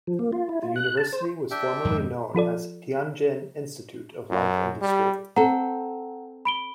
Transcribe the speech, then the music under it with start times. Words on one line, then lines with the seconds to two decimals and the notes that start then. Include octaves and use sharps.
The university was formerly known as Tianjin Institute of Light Industry.
0.07 F3
0.19 A#3
0.32 F4
0.49 E4
0.63 F4
0.76 F#6
0.97 A5
1.12 C5
1.51 D4 E5 G5
1.85 G#1 F2 G#3
2.35 F3 F4 A4 D5
4.30 F#2
4.81 G3
5.36 C4 A4 F#5 A#5
6.45 B5 D7 G7